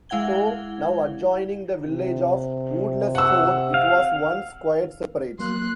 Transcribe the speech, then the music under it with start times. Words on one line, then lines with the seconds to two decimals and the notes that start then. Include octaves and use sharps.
Though now adjoining the village of Woodlesford, it was once quite separate.
0.09 G#3 E4 F5 F#5 G#6 G7
1.85 C3
3.15 F#5 E6
3.74 F5
5.39 F#3 A#3 C6 F#6